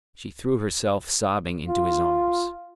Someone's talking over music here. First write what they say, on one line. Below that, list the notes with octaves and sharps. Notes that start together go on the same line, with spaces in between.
She threw herself sobbing into his arms.
F4